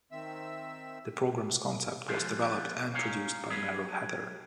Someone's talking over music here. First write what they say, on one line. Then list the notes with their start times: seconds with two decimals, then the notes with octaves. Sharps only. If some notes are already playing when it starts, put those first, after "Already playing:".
The program's concept was developed and produced by Merrill Heatter.
0.12 D#3 C4 E5 E6
2.08 D3 F3 G3 G#3 B3
2.94 C#4 D#4 C#5 F5
3.50 F#3 G#4 B4